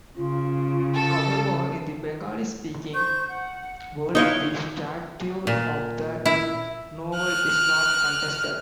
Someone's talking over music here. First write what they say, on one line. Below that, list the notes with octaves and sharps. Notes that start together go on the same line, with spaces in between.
However, in the Bengali-speaking world, the stature of the novel is not contested.
C#3 F4
A4
C5 C#6 G6
F#5
D#4 E4 F#4 C#5 D#5 F5
A#2
E4
F6 F#6